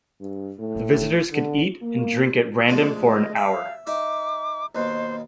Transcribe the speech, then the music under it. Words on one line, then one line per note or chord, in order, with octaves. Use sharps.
The visitors could eat and drink at random for an hour.
G2
A2
D3
A#3
D2 F3 G#3
D#5
E5 F5
D#4 E5 D6
D#2 B2 C5